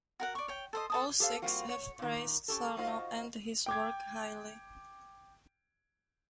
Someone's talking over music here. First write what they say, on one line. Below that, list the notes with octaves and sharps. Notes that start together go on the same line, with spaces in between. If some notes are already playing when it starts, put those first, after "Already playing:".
All six have praised Sarno and his work highly.
F#4 A#4 F#5
D5 C#6
C#5 G5
A4 C5 D#5
A4 A5 D#6
G4 A4 C5 F5
G3 A#3 C4 F4 F#4
C#5
A#2 D#3
C#4 G4 A4
D#4 F4 F#4 C5 D#5 F5
G5 D6 G#6